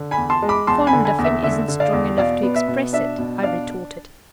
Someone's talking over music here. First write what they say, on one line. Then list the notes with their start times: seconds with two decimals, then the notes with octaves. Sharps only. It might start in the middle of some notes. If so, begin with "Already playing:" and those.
"Fond of him isn't strong enough to express it," I retorted.
Already playing: D3
0.11 G#5 B5
0.17 E2
0.30 A5 C6
0.42 G#3
0.49 B5 D6
0.67 E2 A5 C6
0.87 G#5 B5
0.93 D3
1.05 G#5 B5
1.18 E2
1.24 E5
1.43 D3 E5
1.68 D3
1.80 D5 F5
1.93 E2
2.18 B2 D5 F5
2.43 B3
2.56 E5
2.68 B2
2.93 D4 E5
3.18 B2
3.43 D4 D5 F5